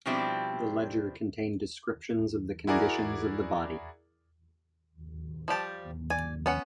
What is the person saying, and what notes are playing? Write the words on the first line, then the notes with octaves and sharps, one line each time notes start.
The ledger contained descriptions of the conditions of the body.
B2 F3 G3 C4 D4 E4
E4 F#4 G#4 A#4 D5
F3 G3 G4 A5
D5 G#5
B3 C#4 F#5